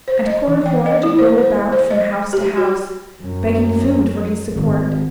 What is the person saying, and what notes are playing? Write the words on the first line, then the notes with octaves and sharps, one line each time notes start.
And Korihor did go about from house to house, begging food for his support.
C5
D#5
E3
G5
D#5
E4
C5
C5
C5
D#5
G4
F#4
F#2
G#1